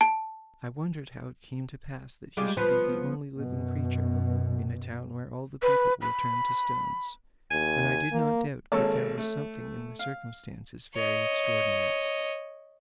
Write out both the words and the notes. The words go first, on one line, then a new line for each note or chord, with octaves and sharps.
I wondered how it came to pass that he should be the only living creature in a town where all the people were turned into stones, and I did not doubt but there was something in the circumstance very extraordinary.
A5
G3 G#3 F4
F3 B3 B4
F#2 B2
B4
B5
D#2 G#5
A#3
G#1 A#3 A4 C#5 A5
A3
F5
C#5 D#5